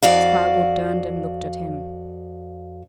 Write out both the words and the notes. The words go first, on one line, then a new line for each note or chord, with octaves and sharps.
Spargo turned and looked at him.
F2 F#4 D5 F5